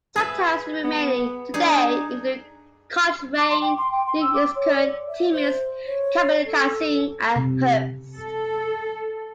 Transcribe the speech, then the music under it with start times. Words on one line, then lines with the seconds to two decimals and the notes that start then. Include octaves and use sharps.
Some towns still remaining today include Cochrane, New Liskeard, Timmins, Kapuskasing, and Hearst.
0.16 G#4 B4 E5
0.84 B3
1.54 D4 D#4 G#4
3.37 D6
3.50 C6
3.62 G5
3.78 C6
3.92 G5
4.07 C6
4.21 E6
4.34 D6
4.56 C#5
4.75 D5
5.08 E5
5.32 C5
5.86 C#5
6.46 A4
7.36 C3
8.16 A4